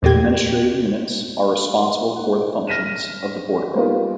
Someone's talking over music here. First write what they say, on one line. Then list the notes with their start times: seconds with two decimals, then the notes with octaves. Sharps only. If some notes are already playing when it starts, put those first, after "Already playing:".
Administrative units are responsible for the functions of the Border Guard.
0.03 E2 A#2 A#3 G4 G#6
2.16 F#5
2.67 F6 A#6 B6 D#7 E7
3.75 G3 A#3 B3 D#4 F4